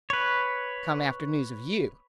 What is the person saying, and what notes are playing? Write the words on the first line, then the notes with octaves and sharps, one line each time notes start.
"Come after news of you."
B4 C#5